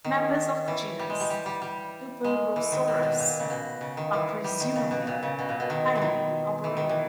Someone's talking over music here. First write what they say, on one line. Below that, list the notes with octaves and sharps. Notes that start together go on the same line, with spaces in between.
Members of the genus "Luperosaurus" are presumably highly arboreal.
D#3
E3
G3
G#3
G3
G3
G3
G3
G#3
E3
D#3
B2
B2
A#2
C#3
B2
C#3
D#3
E3
G3
D#3
C#3
B2
A#2
C#3
B2
A#2
B2
D#3
E3
D#3
E3
D#3
E3